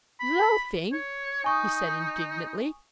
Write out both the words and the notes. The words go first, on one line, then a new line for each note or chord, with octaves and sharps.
"Loafing!" he said indignantly.
B5
C#5
D#4 G#5 C#6 D#6